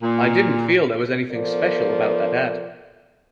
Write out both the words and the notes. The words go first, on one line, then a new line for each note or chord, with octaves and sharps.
I didn't feel there was anything special about that ad.
A#2
F3 B3 A4 A#4 D5